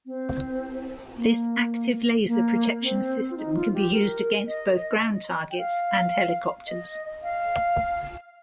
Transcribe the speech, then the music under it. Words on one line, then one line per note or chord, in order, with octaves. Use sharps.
This active laser protection system can be used against both ground targets and helicopters.
C4
A#3
A#3
C4
F4
D#4
F4
G4
A#4
D#5
G5
F5
D#5
F5